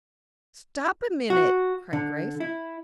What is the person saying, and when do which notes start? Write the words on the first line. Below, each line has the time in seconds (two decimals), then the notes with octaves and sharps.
"Stop a minute!" cried Grace.
1.30 F#4
1.93 D3
2.40 E4